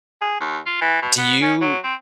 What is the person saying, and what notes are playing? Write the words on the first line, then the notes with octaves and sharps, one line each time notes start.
Do you
G#4
D#2
F4
E3
B2
B3
C#4
F#3
C4